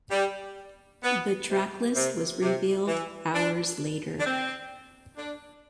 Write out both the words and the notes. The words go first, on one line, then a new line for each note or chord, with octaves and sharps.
The tracklist was revealed hours later.
G3
B3
C3
C3
C3
E3
D4
D4
C4
D4